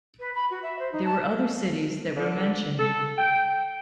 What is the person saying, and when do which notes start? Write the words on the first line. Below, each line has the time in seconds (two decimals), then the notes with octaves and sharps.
There were other cities that were mentioned.
0.20 B4
0.35 B5
0.51 F#4
0.63 E5
0.79 C5
0.92 D#4
1.05 A5
2.17 D3
2.79 A4
3.18 G5